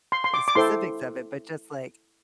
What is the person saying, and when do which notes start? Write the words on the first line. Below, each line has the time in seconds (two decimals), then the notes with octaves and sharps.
uh, specifics of it, but just like
0.12 C6
0.24 C6
0.34 D6
0.48 D6
0.55 E4 A4 C5 C6